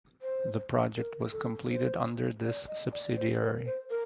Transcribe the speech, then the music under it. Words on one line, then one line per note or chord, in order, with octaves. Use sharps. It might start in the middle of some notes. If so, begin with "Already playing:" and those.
The project was completed under this subsidiary.
C5
A#4
A4
C5
D5
D#5
D5
C5
A#4
C5
A#4